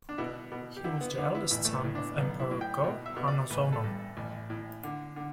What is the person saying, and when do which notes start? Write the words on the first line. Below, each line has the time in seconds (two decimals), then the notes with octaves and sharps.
He was the eldest son of Emperor Go-Hanazono.
0.09 D4
0.18 B2 E4
0.52 B2
0.77 G4
0.84 D3 E4
1.01 B3
1.18 D3 B3
1.35 E4
1.51 A1 E4
1.65 A3
1.73 B3
1.84 A2
1.95 D4
2.17 B1 B3
2.40 E4
2.51 A2
2.61 G5
2.84 B2
3.06 E5
3.17 B2
3.28 D5
3.50 A1 B4
3.72 A4
3.84 G2
4.17 A1
4.50 A2
4.83 D3
5.16 D3